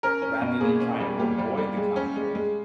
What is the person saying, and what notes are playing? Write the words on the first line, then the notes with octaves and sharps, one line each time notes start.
rather than trying to avoid the conflict,
C#4 A#4
C#4
B2
A#2 G#4
C#4
G3
A#2 G4
G3
G3
G#3
C#4
G#3
G#3